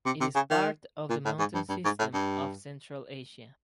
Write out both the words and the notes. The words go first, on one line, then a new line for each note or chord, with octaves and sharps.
It is part of the mountain system of Central Asia.
C3
C3
C#3
D#3
A#2
A2
G#2
G2
G2
G#2
A2
G2